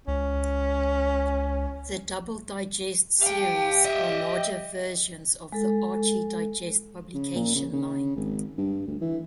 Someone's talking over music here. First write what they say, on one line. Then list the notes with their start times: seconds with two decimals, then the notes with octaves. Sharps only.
The Double Digest series are larger versions of the Archie Digest publication line.
0.08 C#2 C#4
3.22 G4 F5 G5
3.85 D#5 E5
5.52 G#3 A4
7.15 C#3
7.36 A#2
7.55 C#3
7.74 C#3
8.16 G#1
8.58 G2
8.87 D2
9.01 E3